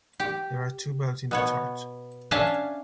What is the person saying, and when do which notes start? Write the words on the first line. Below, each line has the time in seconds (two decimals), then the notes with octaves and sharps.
There are two bells in the church.
0.20 G4
1.31 B2 B3 C#5
2.31 C#4 D4 E5 F5 G#5 A5